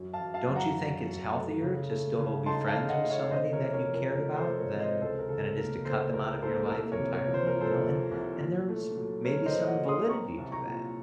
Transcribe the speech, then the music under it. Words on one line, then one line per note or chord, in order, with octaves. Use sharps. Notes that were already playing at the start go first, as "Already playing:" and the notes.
don't you think it's healthier to still be friends with somebody that you cared about than than it is to cut them out of your life entirely, you know," and and there was maybe some validity to that,
Already playing: F#2
F5 A5
F#2
F5 A5
F#2
F#5 A#5
F#2
F#2
A3
C#3
A3
C#3
D#4 A5 C6
F5 A5
C#3
D#5 F#5
A3
C#5 F5
C3 C5 D#5
A#4 C#5
C3
A#4 C#5
F3
A#4
A3 A#4
A4 C5
A3
A#4 C#5
C3
C5 D#5
C#2 A4 C5
A#4
C#3 A4
A#3 A#4
C#3 A4 C5
C#2 A#4
A#3 A4 C5
A#4
C2 A4
A#4 C#5
C3
A#4 C#5
F3
C5
A#4
F3
A4 C5
C2
C2
A#2
A3
F#3
A3 A#4 C#5
C5 D#5
A#2
D#5 F#5
F#3
C6 D#6
C4 A#5 C#6
C2
A#5 C#6
A#2